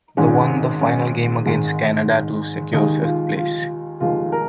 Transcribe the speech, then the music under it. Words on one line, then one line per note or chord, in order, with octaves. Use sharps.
The won the final game against Canada to secure fifth place.
G#1 G#2 G#3 C#4
C#4
G#1 G#2 D#3 G#3
D#2 D#3 G#3 D#4
F4
F4
F1 D#2 D#3 G#3 F4
A#4